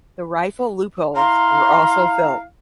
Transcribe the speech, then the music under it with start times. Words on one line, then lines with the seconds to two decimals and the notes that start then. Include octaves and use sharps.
The rifle loopholes were also filled.
1.16 E4 F5 A#5 C6